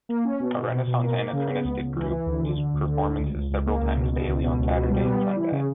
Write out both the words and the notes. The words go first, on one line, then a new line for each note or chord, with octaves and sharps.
A Renaissance anachronistic group does performances several times daily on Saturday and Sunday.
A#3
C#4
B2
B2
B2
B2
A#3
A#3
C#3
B3
C#2
C#2
E3
E3
D2
D3
D3
D2
D3
D2
C#2
C#2
C#2
A#3
C#2
B2
B2
C#2
B2
C#2
B2
G3
B3
G3
E3
C#3